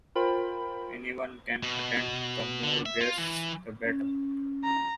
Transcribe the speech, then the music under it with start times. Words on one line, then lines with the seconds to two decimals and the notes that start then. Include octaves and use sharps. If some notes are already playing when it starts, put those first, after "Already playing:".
Anyone can attend - the more guests, the better.
0.15 F4 A#4 C5 G5 B5
1.63 B2
2.63 D3
2.86 E5
3.01 F4
3.18 E3
3.85 C#4
4.64 A#5